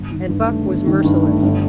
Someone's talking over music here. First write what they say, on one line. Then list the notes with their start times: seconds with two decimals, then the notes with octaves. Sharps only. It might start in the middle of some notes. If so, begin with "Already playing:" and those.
And Buck was merciless.
Already playing: G1
0.11 D#3
0.29 G2
0.48 A3
0.67 G1
0.86 D#3
1.04 G2
1.23 A3
1.43 G1